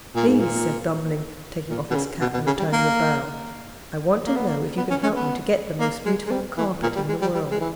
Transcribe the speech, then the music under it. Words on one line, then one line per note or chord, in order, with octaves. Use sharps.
"Please," said Dummling, taking off his cap and returning the bow, "I want to know if you can help me to get the most beautiful carpet in the world."
A#2
G#2
A#2
A#2
B2
C#3
B2
B2
C#3
G3
A#3
A#3
B3
A#3
B3
C#4
C#4
B3
A#3
G#3
G#3
G3
E3
A#2
G3
G#3
G3
G3
G#3
E3